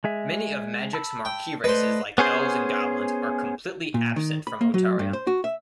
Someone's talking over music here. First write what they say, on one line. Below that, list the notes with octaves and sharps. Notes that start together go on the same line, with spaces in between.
Many of Magic's marquee races like Elves and Goblins are completely absent from Otaria.
G#3 G#4 E5
A5 B5 E6
G5
A3 B4 C5 D5 D#5
B3 C#4 G#4 C5
A#2
D#3
B5
A#3
F#3
G2
C5
F#4
E5